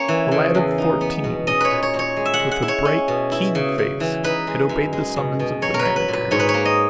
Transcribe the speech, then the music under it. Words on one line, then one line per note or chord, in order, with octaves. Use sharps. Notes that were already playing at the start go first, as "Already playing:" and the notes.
A lad of fourteen, with a bright, keen face, had obeyed the summons of the manager.
Already playing: A#3 C#4 C#5
E3
C#3
E2
D#4
B3
B2
C#4 D#5
B4 C#5
A#2
C#5
A#2
C#5
G#3
E5
F#5
G#3
F#5
E4
C#5
C#4
B2
E4
C#3
C#3
E3
D#4 B4
G#3
F#2
G#3
B2
B2
F#3 C#5
A#4
B4
F#3
B4
A#2 B4
G#2 C#5
B4
C#5
A#3
D#5